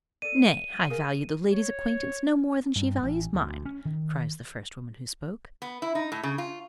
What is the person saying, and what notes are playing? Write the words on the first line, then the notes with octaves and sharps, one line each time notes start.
"Nay, I value the lady's acquaintance no more than she values mine," cries the first woman who spoke.
A4 D5 D#7
G#4 A#4 F5
C#5
G2
A1
D2
C#4
D#3
B3
E4
D#4
A2
C#3
F4